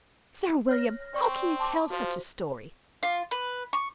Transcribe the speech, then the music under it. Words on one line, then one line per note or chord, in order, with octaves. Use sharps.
Sir William, how can you tell such a story?
C#5 F6 A#6
C4 D5 C#6
A5 C6 D6
F3 F#4 C5
F4
B4
C#6